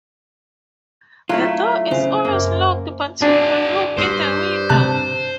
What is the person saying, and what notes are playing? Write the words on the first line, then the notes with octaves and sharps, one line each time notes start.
The door is always locked but you can look in the window.
F#3 A3 E4 F4
C#3 C5
F#2 A#3
D4 F#4 G#4
G2 C5
C3 A5 F#6